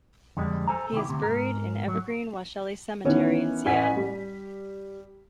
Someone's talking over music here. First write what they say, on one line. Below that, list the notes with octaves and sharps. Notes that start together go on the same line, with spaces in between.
He is buried in Evergreen-Washelli Cemetery in Seattle.
F2 D3 G3 G#3
A4 C5 G#5 A#5
C3 D#3 E4 G4
D2 C3
G#2 A#4
F#3
D#3 E3 B3 C#4
A1 F#5 G#5 B6
G3